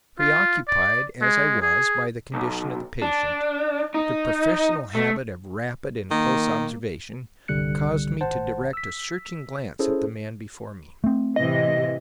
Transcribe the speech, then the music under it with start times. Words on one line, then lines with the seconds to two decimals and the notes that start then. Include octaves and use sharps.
Preoccupied as I was, by the condition of the patient, the professional habit of rapid and close observation caused me to direct a searching glance at the man before me.
0.19 F4
0.69 D5
1.21 G#3
1.62 G#4
2.34 B1
3.02 D4
3.94 D#4
4.95 A3
6.11 D#3 A#3
7.48 G1 C2 D3 G3 F#6 C#7
8.21 G#1 C5 F#5 A5
8.73 E6 B6
9.79 C#4 E4 G#4 A4 C5
11.04 A3 C4
11.36 A2 C3 E3 D#5